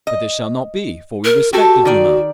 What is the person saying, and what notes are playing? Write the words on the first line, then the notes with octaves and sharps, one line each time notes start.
But this shall not be, for we respect the Duma.
D#5
A#4
F#4 G4 A4
D#3 D5